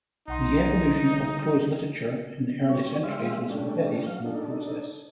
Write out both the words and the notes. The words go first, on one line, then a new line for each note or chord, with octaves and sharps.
The evolution of prose literature in the early centuries was a very slow process.
B1 D#4 F#5 C6
D3 G3
G3 C#4 C#5
G3 G#3 C5 E5 F5
G3 A3 C#4 D4
F#3 F5
D4 D#4 A4